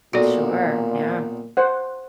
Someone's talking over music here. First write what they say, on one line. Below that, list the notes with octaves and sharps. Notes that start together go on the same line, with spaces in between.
Sure, yeah.
B1 A#2 F#4 A4 D5
C5 F#5